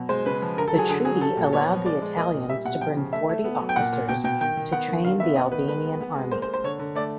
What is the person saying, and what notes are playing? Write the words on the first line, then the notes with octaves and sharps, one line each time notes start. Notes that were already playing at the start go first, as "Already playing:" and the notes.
The Treaty allowed the Italians to bring forty officers to train the Albanian army.
Already playing: B2 F#3
G#3 C5
C#3 B4
F3
D3 A#4
A4
F#3 G#4
D3 G#4
F#3 G#4
G3 A4
A#2
B3 C#5
F3
G#3 D5
G#3
A#3 D#5
A#2
G3 E5
B2 F#5
F3 G5
C#3
A3 E5
A3
B3
F#3
G5
A#2 F#5
A#2
B2 G5
B2 G5
D#3 G5
D#3
B3 F#5
D#3
D3 F5
B3 E5
B3 D#5
D#3 B4
G#3 B4
B3
B3
G#3
A#3 C5
C5
A#3
C5
D3 C#5
D3
A3 D5